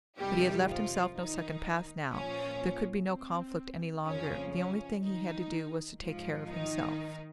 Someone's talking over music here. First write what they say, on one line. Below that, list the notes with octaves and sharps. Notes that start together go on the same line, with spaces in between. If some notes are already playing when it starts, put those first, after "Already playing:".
But he had left himself no second path now: there could be no conflict any longer: the only thing he had to do was to take care of himself.
F2 C3 D#3 G3 G4
F3 F4
D#3 D#4
A#2 F3 C#4
C4
F2 C#3 F3 C#4
C#4
D#3 D#4
G#2 F3
D#3 D#4